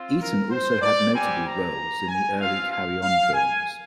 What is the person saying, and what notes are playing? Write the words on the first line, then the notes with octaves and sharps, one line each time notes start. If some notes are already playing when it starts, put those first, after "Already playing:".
Eaton also had notable roles in the early "Carry On" films.
Already playing: C4 F4
A#4
C5
D5
G3 C4 G4 G#5
A#5
G#5
C4 F4 F5
F5
F5
G#5